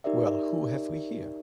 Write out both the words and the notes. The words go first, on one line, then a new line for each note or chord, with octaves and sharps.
Well who have we here?
D#4 G4 A#4 D5 E5